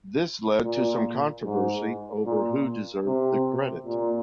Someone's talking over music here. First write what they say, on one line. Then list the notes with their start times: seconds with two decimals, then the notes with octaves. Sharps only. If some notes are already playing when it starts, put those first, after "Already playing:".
This led to some controversy over who deserved the credit.
0.64 A#2
1.45 G#2
2.26 A#2
3.06 C3
3.86 A#2